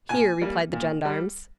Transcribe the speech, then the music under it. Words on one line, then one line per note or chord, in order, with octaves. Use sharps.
"Here," replied the gendarmes.
A#2 G#5
G3 A#3
A#2
G3